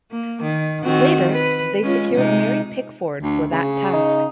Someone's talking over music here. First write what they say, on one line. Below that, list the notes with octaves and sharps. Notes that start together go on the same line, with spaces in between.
Later, they secured Mary Pickford for that task.
A#3
D#3
D#3 C4 F#4
B4
G#3 C#4 F4
C3 G#3 D#4
D2
C#3
D#4